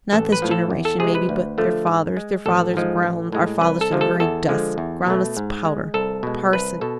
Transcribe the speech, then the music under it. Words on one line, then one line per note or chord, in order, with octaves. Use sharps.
Not this generation maybe, but their fathers. Their fathers ground our fathers to the very dust; ground us to powder! Parson!
A1 A4
B4
A2 F3
A4
E2
A4
C3 G#3 G#4
B4
D2
D3 F3 A3
G#2
G#3
A1 A4
G#2 F3 G#3
A1
A2 G#3
C2 B4
A4
C3 F3 G#3
A4
E2 A4
D3 F3 G#3
E2
B2 A3
G#2
G#3
C2 A4
B2 G#3
C2 B4
B2 A4